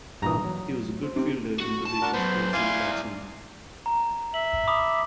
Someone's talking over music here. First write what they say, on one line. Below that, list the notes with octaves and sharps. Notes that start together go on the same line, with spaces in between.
He was a good fielder in positions close to the batsmen.
G2 A#2 E3 A#5 D#6
F#3
C5
C3
F#4
A5
D4 F#4 A#4
F#2 B3 C5
E4 D5 F5 G#5 C6
A#5
E5 F#7
B5 D6 D#6